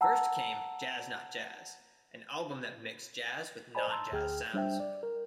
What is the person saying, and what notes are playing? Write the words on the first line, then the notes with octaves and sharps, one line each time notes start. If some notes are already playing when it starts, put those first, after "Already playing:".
First came "JazzNotJazz", an album that mixed jazz with non-jazz sounds.
F#5 A5 A#5 E6
C5 D5 D#5 G#5 A5 B5
A5 A#5 C6 E6
D2 G#4 G5 F6
G3 D4 C5 E5 G5
D5
A#4